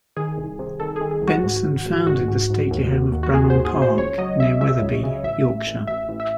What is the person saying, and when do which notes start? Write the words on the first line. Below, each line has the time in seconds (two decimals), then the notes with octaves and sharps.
Benson founded the stately home of Bramham Park, near Wetherby, Yorkshire.
0.16 D#3 G#4
0.37 C2
0.59 C3
0.80 D#3 A4
0.96 G#4
1.01 D#3
1.11 G#4
1.22 C2
1.27 F#4
1.43 G#2
1.65 G#1
1.85 G#1
2.07 G#1 F#4
2.28 G#2
2.50 G#2
2.71 D#2
2.91 D#2
3.12 D#2
3.23 F#4
3.34 D#2 G#4
3.50 D#2 C5
3.65 G#4
3.76 D#2
3.82 C5
3.97 C#2 C#5
4.18 F#3 D#5
4.39 C#2 E5
4.61 C#3 E5
4.82 C#2
5.03 C#3
5.24 A1 E5
5.45 A1
5.67 A1
5.87 A1 E5
6.09 A1
6.20 E5